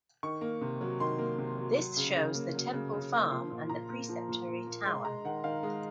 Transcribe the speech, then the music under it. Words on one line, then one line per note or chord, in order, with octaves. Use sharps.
This shows the Temple Farm and the Preceptory tower.
D#3 C#6
A#3
C3
F#3
D#3 C6
A#3
C3
F#3
F#3
C#3
C#3
A#3
F#3
C#3
C#3
A#3
F3 C6
A#2
A#2 A#5
A#3
F3
A#2
A#2
A#3
G#3 C6
G#3 A#5
D#3 F#5
D#3 F5
G#3 D#5